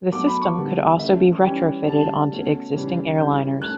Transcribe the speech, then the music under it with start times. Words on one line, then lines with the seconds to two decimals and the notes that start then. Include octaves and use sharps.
The system could also be retrofitted onto existing airliners.
0.12 B2 F#3 A3 D6
0.27 B5
0.41 C#6
0.56 D3 G3 B3
0.99 E3 A3 C#4 E5
1.43 E3 G3 C#4 G5
1.87 D3 G3 C#4 A5
2.31 B2 A3 C#4
2.75 C#3 E3 G3 C#4
3.18 E3 G3 C#4 G6
3.62 A3 C#4 F#6